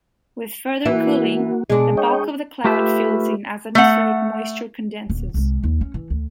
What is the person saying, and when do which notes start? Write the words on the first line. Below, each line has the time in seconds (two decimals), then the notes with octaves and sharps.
With further cooling, the bulk of the cloud fills in as atmospheric moisture condenses.
0.85 E3 A#3 E4 F#4
1.70 B2 G#3 D4
1.97 C#5 D#5 G5
2.65 A3 F4 G4 B4 E5
3.75 A3 F#5
5.10 D#1 D3
5.34 C2 G#3
5.63 D#2
5.81 C#4
5.94 E3
6.10 D2